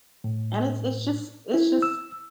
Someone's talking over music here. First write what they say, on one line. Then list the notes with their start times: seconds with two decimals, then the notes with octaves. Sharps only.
and it's just it's just
0.24 A2
1.54 E4
1.82 E6